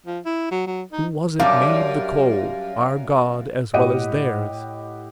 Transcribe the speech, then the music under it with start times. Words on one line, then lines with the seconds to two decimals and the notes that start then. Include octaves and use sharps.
"Who was it made the coal? Our God as well as theirs."
0.06 F3
0.25 E4
0.51 F#3
0.67 F#3
0.92 D#4
1.40 F#2 G3 D4 F5
3.73 A2 G4 D#5 F#5 D#7